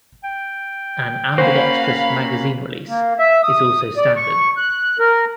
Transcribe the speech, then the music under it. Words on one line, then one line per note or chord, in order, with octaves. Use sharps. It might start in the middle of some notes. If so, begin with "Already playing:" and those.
An ambidextrous magazine release is also standard.
G5
A#3 C#4 F#4 C5 F5 B5
A#3
E5
D#6
D5
C#6
F#6
A#4